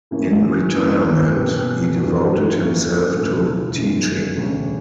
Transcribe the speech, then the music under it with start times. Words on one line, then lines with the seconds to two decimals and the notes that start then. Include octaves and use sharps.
In retirement, he devoted himself to teaching.
0.11 C#3 E3 A#3 C#4 E4
0.72 G2 E3 A#3 C#4 E4
1.32 B2 A#3 C#4 G4 B4
1.94 G2 E3 B3 D4 F#4
2.54 A#2 F#3 C#4 E4 B4
3.15 E1 D2 C#3 E3 B3
3.75 G1 F#2 C#3 F#3
4.35 E1 D2 C#3 G3 C#4